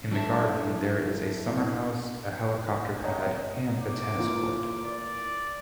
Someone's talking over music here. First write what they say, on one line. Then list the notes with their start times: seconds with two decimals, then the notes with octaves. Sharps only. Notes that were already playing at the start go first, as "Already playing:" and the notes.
In the garden there is a summerhouse, a helicopter pad, and a tennis court.
0.11 F#3 D4 E4 A4 E5 A5
3.04 C#5 D#5 A#5
3.82 D6
4.18 E3 A#3 F4
4.86 D5